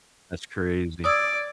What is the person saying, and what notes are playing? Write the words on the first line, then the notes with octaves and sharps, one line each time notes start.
That's crazy.
D5 D#6 E6 G#6